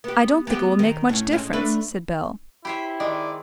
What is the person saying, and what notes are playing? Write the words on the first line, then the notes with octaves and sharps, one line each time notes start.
"I don't think it will make much difference," said Bell.
B3 G4
B3 C4 G4
D#3
A2 C#4
A2 G#3 C#4
A3 D4 B4
E4 G4 C5 C#5 B5
D#3 G#3 D5